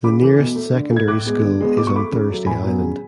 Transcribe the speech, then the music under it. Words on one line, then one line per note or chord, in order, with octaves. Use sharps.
The nearest secondary school is on Thursday Island.
C#3 B5 D6
E3 A3
B2
A3
D3
A3
G#6
A2 D6 F#6
G#3 B3
D3
G#3 B3
B2 D6
C#6
A3 B5 D6
C#3
F#3 A3
A2 G#5 B5
F#3 B3
C#3